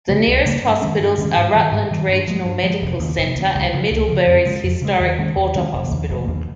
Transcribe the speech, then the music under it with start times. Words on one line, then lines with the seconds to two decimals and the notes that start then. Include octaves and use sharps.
The nearest hospitals are Rutland Regional Medical Center and Middlebury's historic Porter Hospital.
0.08 C#3 G3 A#3
0.27 C#2
0.45 C#3 G3 A#3
0.62 G2
0.82 D#3 G#3 C#4
1.00 G2
1.18 D#3 G#3 C#4
1.36 G#2
1.54 D#3 G3
1.72 G#2
1.91 D#3 G3
2.08 G2
2.27 F3 G#3
2.45 G2
2.63 F3 G#3
2.82 F1
2.99 D#2 C#3
3.18 F1
3.36 D#2 C#3
3.55 C#2
3.73 C#3 F3
3.91 C#2
4.08 C#3 F3
4.27 F2
4.46 C#3 G#3
4.64 F2
4.82 C#3 G#3
5.00 D#2
5.18 D#3 G#3 C#4
5.36 D#2
5.55 D#3 G#3 C#4
5.73 F1
5.91 D#2 C#3 F3
6.09 F1
6.27 D#2 C#3 F3